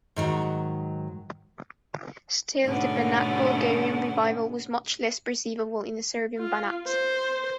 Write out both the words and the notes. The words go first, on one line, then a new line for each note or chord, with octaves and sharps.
Still, the Banat Bulgarian revival was much less perceivable in the Serbian Banat.
G#2 D#3 F#3
G#2 B2 D3 A3 B3 C#4
F4
C5